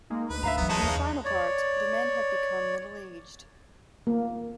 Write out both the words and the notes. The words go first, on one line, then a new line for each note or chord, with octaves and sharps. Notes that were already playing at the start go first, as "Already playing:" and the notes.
In the final part, the men have become middle-aged.
G#3 A#3 D#4
D2 B4
G#2 E5 F5 A#5
E3 F#3 B3
G#3 C#4 D#4 B4 E5 A5 C#6
E2 F5 A#5 F#6
C#5 D5
A#3